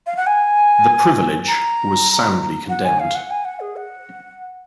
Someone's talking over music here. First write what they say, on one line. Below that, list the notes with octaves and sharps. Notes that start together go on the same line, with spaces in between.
The "privilege" was soundly condemned.
F5
F#5
G#5
A#5
F#5
G#5
F5
F#5
G#5
F#5
G#4
F#5